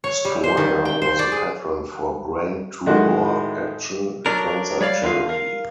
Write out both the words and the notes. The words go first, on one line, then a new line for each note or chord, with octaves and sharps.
Squire was a patron for Brain Tumour Action, a cancer charity.
C#5
G3
C5
D#3
G5
C5
D5
G#4
A2 D#3 G#3 D#4 F#4
F#3 D4 A#4
G3 C#5 D5 F5
E2 D3 F4 F5
A#4 F5